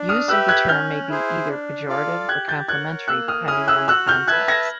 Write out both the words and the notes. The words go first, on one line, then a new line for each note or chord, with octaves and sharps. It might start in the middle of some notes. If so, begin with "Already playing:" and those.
Use of the term may be either pejorative or complimentary, depending on the context.
Already playing: D4
D#6 F6
G4 B4 E5 E6 F#6
F#6 G#6
C#4 F6 G6
E4 G#4 C5
D4
F4 A4 D5 F5
G4 F#6 G#6
G6 A6
A#4 C#5 F#5 F#6 G#6
A#3 E6 F#6
D#6 F6
C#4 E4 G#4 D#6 F6
E6 F#6
F#4 E6 F#6
F6 G6
B4 E5 A5 F#6 G#6
G#6 A#6